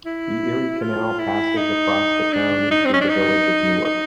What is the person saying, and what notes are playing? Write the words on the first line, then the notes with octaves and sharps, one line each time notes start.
The Erie Canal passes across the town and through the Village of Newark.
E4
F4
E4
D#4
D4
D#4
C4
C#4
D4
D#4
D#4